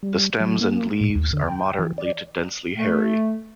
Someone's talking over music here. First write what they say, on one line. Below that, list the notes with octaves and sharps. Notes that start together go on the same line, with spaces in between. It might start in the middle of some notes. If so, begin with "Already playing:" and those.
The stems and leaves are moderately to densely hairy.
G3
F#3
A#3
A2
D#2
D3
G5
E3
D5
A3